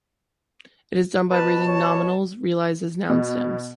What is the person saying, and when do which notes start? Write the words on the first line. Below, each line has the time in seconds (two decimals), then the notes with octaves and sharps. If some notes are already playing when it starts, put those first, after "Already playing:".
It is done by raising nominals realized as noun stems.
1.31 B2 B4 A5
1.68 C#5
3.09 B2